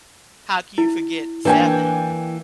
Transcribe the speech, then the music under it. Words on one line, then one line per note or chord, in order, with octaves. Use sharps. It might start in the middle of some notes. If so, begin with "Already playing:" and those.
how can you forget Seven?
E4
E3 A#3 D4 G5 G#5